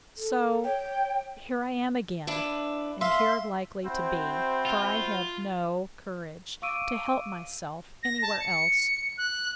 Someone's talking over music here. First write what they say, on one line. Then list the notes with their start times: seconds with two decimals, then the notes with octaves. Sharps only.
So here I am again, and here likely to be; for I have no courage to help myself any where else.
0.17 A4
0.64 C#5 G5
2.27 D4 E4 B4
3.01 E5 F5 C6
3.85 C4 E4 F#4 C5
4.66 F4
6.62 F5 C#6 D6 E6 D7 D#7
8.03 A#6
8.22 A5
8.40 C#7
9.18 F#6